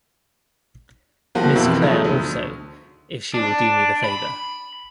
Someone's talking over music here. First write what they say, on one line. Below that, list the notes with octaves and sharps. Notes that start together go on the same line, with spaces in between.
Miss Clare also, if she will do me the favour.
F3 G3 A#3 F#4
F2 B2 E3
F3 F#3 G#3 A3 D#4
D2
D4
B5